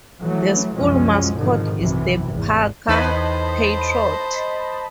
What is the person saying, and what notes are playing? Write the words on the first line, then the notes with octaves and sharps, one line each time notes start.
The school mascot is the Parker Patriot.
E3 F#3 A3
C2 F#2 F3 F#3 G#3 C#4
G#1 G#2 B2 D3 D#3 F3
B1 F#2 C3 E3
G#1 E2
E2 A2 D#4 B4 C5 D#5 A5 B5